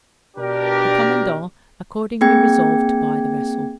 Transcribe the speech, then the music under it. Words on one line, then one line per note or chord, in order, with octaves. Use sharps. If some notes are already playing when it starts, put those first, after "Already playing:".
The commandant accordingly resolved to buy the vessel.
B2 D4 G4 A#4
A#3 C4 G#4 G5 G#6